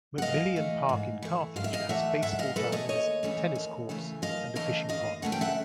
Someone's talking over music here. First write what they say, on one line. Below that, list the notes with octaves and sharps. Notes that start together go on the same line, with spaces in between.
McMillian Park in Carthage has baseball diamonds, tennis courts, and a fishing pond.
F#5
G#2 D#5 F5
E3 A3
G#2
E3 A3
G#2 F5
E5
D#5 F5
E3 A3 E5 F#5
G#2 E5 F#5
D#5 F5
E3 A3 A4 B4
C#5 D#5
D#2 C#5 D#5
C#3 E3 A3 C#4
D#2
C#3 E3 A3 C#4
D#2 D#5 F5
C#3 E3 A3 C#4 D#5 F5
D#2 D#5 F5
C#3 E3 A3 C#4 F#5
G5
E5 F#5